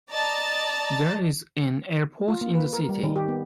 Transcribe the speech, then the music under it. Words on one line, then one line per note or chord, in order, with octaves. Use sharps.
There is an airport in the city.
D5 D#5 A5 A#5 A6
F4
A#3
B4
A#4
G3
D#3
G4
B3